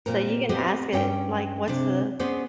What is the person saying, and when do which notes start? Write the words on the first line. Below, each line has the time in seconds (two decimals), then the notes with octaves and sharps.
So you can ask it, like, "What's the"
0.06 A#2 C4 A#4
0.49 B3 C4 G4 C5 D#5
0.93 G2 C#4 G4 G5
1.68 C3 D4
2.19 B3 C#4 G#4 C5 D5